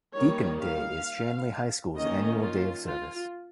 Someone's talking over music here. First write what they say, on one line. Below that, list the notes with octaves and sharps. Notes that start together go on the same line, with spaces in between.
Deacon Day is Shanley High School's annual day of service.
D#3 G3 A#3 C#5
F5
D#3 A#3 C#4 D#5
F4
F4